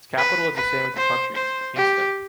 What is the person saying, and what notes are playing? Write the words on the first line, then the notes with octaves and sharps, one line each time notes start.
Its capital is the same as the country’s, Kingstown.
B4
B4
C5
C5
G4